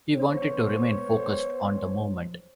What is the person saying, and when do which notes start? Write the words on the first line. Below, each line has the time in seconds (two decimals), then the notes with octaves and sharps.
He wanted to remain focused on the movement.
0.14 B3 C5 C#5